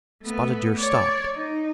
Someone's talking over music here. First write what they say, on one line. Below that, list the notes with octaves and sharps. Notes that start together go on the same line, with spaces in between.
Spotted Deer stopped.
A3 B3
C#5 D5
D#4